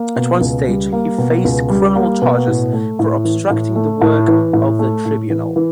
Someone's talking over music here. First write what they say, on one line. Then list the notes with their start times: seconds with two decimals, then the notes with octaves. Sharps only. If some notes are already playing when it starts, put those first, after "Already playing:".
At one stage, he faced criminal charges for obstructing the work of the tribunal.
Already playing: A#3
0.16 B2
0.41 C#2
0.68 G3
0.93 A#3
1.18 B2
1.45 C#2
1.70 G3
1.96 A#3
2.22 B2
2.47 A2
2.73 A3
2.99 A2
3.24 E3
3.50 A2
3.76 A3
4.01 A2
4.28 E3
4.53 A2
4.79 A3
5.05 A2
5.30 E3
5.56 E3